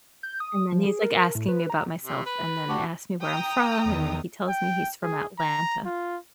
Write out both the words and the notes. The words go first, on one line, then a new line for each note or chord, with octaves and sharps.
And then he's, like, asking me about myself and then asked me where I'm from, and then he tells me he's from Atlanta;
G6
D#6
F3
G#4
A#4
A2
B4
A#5
C3
B4
D4 F#4 G4
G5 A#5 D#6
E2 D#3
G5
G#4
A#5
F4